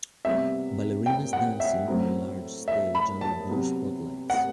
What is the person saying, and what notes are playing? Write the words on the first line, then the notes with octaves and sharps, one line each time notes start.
Ballerinas dancing on a large stage under blue spotlights.
C3 G3 B3 E5
G5
F#5
E5
A2 F#3 C4
E5
B5
A5
C3 F#3 B3
F#5